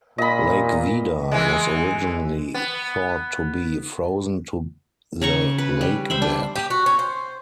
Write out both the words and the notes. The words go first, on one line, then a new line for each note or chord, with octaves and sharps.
Lake Vida was originally thought to be frozen to the lakebed.
A#2 D#5 B5
E3 G#3
B3
C#3 A#5 C#6
B4
G3
C5 E5 B5
D4
G4
F#4
C#4
C5